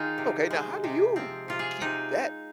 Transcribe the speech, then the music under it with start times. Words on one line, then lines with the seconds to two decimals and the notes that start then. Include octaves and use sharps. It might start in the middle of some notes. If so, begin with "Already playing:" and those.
Okay. Now how do you keep that
Already playing: D#3 D#4 F4 G#4
0.18 C3
0.51 G#3
0.84 C3
1.16 F3 C4
1.48 C3 F4
1.59 G#4
1.81 C3 D#4